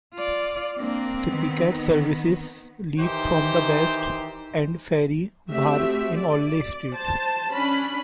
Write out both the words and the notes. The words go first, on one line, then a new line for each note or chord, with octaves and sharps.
CityCat services leave from the West End ferry wharf in Orleigh Street.
F4 D5
A#3 C4 D4
D#3 B3
D#3 E3 D#4 G4 C5
A3 C4 F#4 G4 E5
D5
C5 A5
C#4 D4 B5